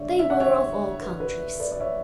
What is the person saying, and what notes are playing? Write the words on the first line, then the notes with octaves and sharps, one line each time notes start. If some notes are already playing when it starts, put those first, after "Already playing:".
They were of all countries.
Already playing: D3 G#3 D4 C#5 D5 E5
E5
F#5
C#5 E5
B4
B4
B4 D5
D5
C#5 E5